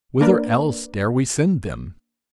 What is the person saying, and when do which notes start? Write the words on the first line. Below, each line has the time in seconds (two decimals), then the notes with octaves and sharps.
Whither else dare we send them?
0.21 A#3 D4 A#4 B4 D5